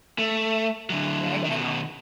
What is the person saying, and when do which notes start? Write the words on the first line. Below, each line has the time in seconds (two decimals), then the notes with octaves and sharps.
Right, and hon
0.19 A3
0.90 D3 F#3
1.44 B2 D#3